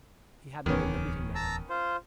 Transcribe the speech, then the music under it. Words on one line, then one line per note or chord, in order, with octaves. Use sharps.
"He had not even a knitting-needle."
D1 E2 D#3 B3 C#4 D6
A5 A#5 E6
F4 C5